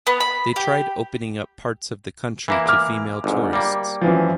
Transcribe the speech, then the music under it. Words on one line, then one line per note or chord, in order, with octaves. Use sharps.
They tried opening up parts of the country to female tourists.
B3
B5
G4
E3 A#3 E4
D6 F6
G1 G#2
G3 A#3
F#2 E3 F3